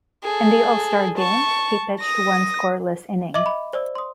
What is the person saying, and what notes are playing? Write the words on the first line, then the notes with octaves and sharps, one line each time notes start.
In the All-Star game, he pitched one scoreless inning.
G#4 A4
A5 C#6
D#6 A#6
D#5 E5 D6 F#7
B5
C5 D5 E6
C6 D#6